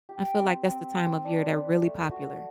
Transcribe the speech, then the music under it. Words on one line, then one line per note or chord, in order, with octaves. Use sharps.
I feel like that's the time of year they're really popular.
G4
C4
C4
C5
D4
B4
A3
F#4